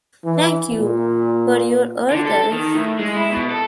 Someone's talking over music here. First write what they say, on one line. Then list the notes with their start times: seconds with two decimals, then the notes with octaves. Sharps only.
Thank you for your order!.
0.25 E3
0.77 A#2
2.12 D3
2.27 A4
2.53 D#3
2.75 A2
2.99 G#3
3.17 E4
3.31 B2
3.51 A4